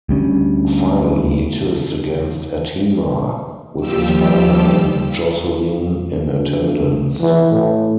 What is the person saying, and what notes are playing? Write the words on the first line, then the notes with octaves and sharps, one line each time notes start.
Finally he tilts against Adhemar, with his father and Jocelyn in attendance.
D2 G3 C#4
D#2 F3 G3 G4 E6
D2
E3
A2